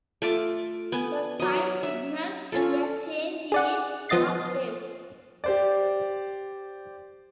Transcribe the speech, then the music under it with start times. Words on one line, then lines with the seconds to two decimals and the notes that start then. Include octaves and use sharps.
The sign signals a change in octave.
0.22 A3 F4 D6
0.92 B3 G#5
1.40 F#3 D#5
1.83 E5
2.52 C#4 F4 A4
3.52 G#4 D5 F#5
4.09 F3 B3 D#5 A6 C7
5.44 G4 C5 D5